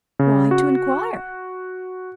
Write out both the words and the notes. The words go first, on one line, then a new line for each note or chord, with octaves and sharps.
"Why, to inquire."
C#3
F#4